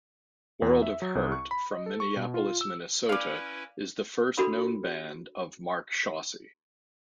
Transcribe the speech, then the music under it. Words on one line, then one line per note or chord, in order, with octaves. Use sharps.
World of Hurt from Minneapolis, Minnesota is the first known band of Mark Chaussee.
E2
E5
F#3
C2
C#6
B5
D#5
A4
C#6
B2
F4
E6
C#4 E4 B4 D5 F5
D4 F#4 A4 A#4 B5 C6